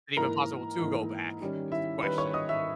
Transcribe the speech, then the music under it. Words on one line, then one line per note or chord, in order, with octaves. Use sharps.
Even possible to go back- is the question.
G#2 E3 A#3 E4 A#4 A#5
G#2 E3 A#3 E4
D#3 G3 C#4
E4 E5
D#3 G3 C#4 B4 B5
C#5 C#6
D#5 D#6
E5 E6